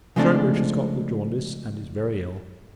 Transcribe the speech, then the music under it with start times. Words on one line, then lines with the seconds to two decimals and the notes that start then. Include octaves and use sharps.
Troubridge has got the jaundice, and is very ill.
0.16 C#3 F3 G#3 A3 C4 D4